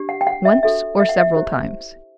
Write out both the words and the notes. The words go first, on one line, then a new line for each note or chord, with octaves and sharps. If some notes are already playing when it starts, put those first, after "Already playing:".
"Once or several times?"
Already playing: D4 G4
F#5
G5
F#5
E5
D4 F#4 A4 E5
E5
F#5
E5
E4 G4 C5